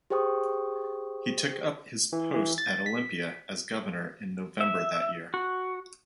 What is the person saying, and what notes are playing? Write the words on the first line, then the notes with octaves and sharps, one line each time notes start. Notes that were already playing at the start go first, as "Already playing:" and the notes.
He took up his post at Olympia as governor in November that year.
G4 G#4 C5 G5 C#6 D#6
E3
E3
A6
B6
E5
F#4